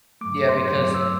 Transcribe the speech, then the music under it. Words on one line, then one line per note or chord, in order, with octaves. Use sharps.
Yeah, because,
G2 F#3 A3 D6
C6
G2 F#3 A3 D6
E6